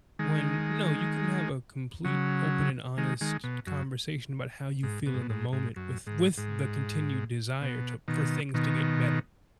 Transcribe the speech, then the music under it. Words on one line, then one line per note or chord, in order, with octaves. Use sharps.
when, no, you can have a complete, open, and honest conversation about how you feel in the moment with with the continued desire to for things to get better.
D#3 G#3
C#3 F#3
D#3 G#3
D#3 G#3
B2
F#2
G#2
B2
G#2
B2
G#2
G#2
F#2
G#2
G#2
B2
B2 D#3
B2 D#3